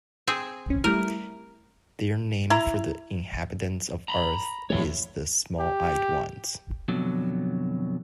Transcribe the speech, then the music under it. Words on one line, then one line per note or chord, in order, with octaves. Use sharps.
Their name for the inhabitants of Earth is "the small-eyed ones".
C4 G#4
C#4
G3 A3 E4 A#4
E4 A#5
A#5 B5
F2 E3 G3 A3 C#5
G4
F2 B2 D3 F#3